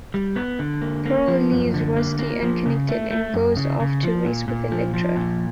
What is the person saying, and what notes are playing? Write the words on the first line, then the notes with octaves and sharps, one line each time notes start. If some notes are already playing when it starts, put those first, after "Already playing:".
Pearl leaves Rusty unconnected and goes off to race with Electra.
G3
B3
D3
A#3
A#3
F3
F#2
D3
A#3
A#3
F3
C#3
A3
A3
F#2
C#3
C#3
F3
A#2
A#2
F3
F3
A#2